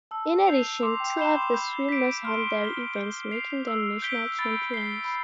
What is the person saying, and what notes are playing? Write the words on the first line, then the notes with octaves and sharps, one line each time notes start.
In addition, two of the swimmers won their events, making them national champions.
A5 E6
G6 C7 F7
C6 D6
G5
B5 G6 C7 E7 G7
C6
B5 G6
B6 D7
C6 F6
C7 G7
G6
C7 F7
E6
G6 B6 D7 G7
B5 A6
C7 G7
B5